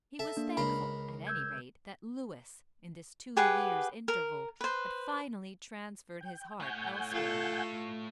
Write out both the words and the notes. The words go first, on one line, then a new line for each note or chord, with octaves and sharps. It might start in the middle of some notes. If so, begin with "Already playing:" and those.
He was thankful, at any rate, that Louis in this two years' interval had finally transferred his heart elsewhere.
A4 E5
A#3 D4
C#2 A#4 B5 C6
E6 G6 G#6
G4 G#4 B4 F#5
A#4
B4 C5
G5
A3 C#5 F#5 G#5 G6
F4 A4